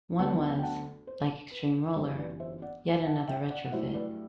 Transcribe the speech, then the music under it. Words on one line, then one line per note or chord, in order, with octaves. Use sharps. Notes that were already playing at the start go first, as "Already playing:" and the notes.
One was, like "Extremeroller", yet another retrofit.
D2 D3 F#3 B3 F#5 A5
G5
F#5 A5
C5
B4
G1 F#2 E3 G3 C5
B4 D5
C5 E5
D5 F#5
F#5 A5
E5 G5
D5 F#5
F#5
G2 F#3 A3 E4 C5 E5
B4 D5